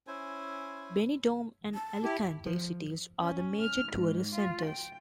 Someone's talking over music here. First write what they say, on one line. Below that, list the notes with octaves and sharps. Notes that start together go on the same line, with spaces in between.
Benidorm and Alicante cities are the major tourist centres.
C#4 E4 C5 G#5
A5
E4 G4
F3
C#4
F6
G#2
F4
G5